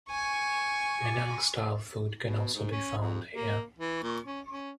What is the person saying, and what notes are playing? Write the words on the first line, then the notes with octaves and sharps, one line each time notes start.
Minang style food can also be found here.
G#5 C#6
B2
G#2
C#4
F2
A#3
E3
A#2
C#4
C#4